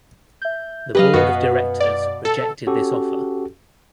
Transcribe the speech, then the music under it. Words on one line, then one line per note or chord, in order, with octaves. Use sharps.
The board of directors rejected this offer.
E5 G6
F#3 G4 B4 D#5 F5
F#2 B2 B3 F#4
D5
A4
C#4 F#4 G4 A4